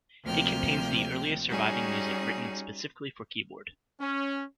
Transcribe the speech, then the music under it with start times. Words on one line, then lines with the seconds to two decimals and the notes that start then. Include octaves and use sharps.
It contains the earliest surviving music written specifically for keyboard.
0.24 D2 C3 F3 A#3 G5 F6
1.49 G3 C#4 D#4 F#4 G#4
3.99 C#4